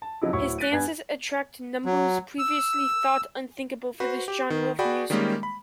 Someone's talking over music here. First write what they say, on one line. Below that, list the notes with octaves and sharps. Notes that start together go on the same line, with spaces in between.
His dances attract numbers previously thought unthinkable for this genre of music.
A5
F2 C#3 F3 F#3 D#4 E4
D1 E4 F#4 C#5 C#6
F#6 A6 B6 D7 D#7
G2 B3 G#5 G#6
F#3
E6
F#4 B4 C5
G4
D#3
F#4 G#4 D5 G5 B5
D#3 G3 G#3 A#3 C#4
B5